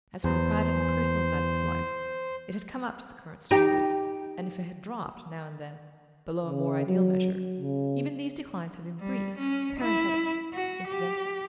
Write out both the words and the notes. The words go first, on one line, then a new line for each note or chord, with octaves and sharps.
As for the private and personal side of his life, it had come up to the current standards, and if it had dropped, now and then, below a more ideal measure, even these declines had been brief, parenthetic, incidental.
E2 C5
D#4 G4
C#3
F#3
C#3
G3
C#4
E4
F#4
G4